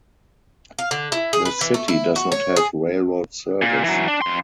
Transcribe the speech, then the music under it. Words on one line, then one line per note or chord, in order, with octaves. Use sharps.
The city does not have railroad service.
F5
D3
E4
G#4
B4
E3
A3
E4
F#4
C#5
G#4
A#2
E3 F#3
D4
F2 C6